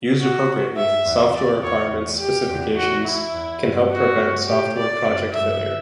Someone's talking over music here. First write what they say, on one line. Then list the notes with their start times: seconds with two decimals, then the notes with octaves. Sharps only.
Used appropriately, software requirements specifications can help prevent software project failure.
0.19 B2 F#4
0.76 G2 E5
1.05 E2
1.34 D5
1.62 E2 C#5
1.91 E2
2.19 G4
2.48 E2
2.76 F#4
3.05 E4
3.33 E2
3.62 G2
3.91 F#4
4.19 G2
4.47 A2 G4
4.76 D5
5.04 F#2
5.33 G2 E5